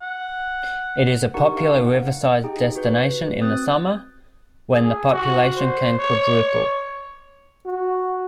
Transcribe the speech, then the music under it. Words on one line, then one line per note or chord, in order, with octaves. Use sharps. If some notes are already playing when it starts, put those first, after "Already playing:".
It is a popular riverside destination in the summer, when the population can quadruple.
F#5
D4 D#4 G4 A#4 F#5 C#6
A#4 F5
F#5
D#4 G4 G#4 G5
F#4 B4 G6
C4 D#6 F#6 G6 A6
G#4
F#4
C5
C#5
F#4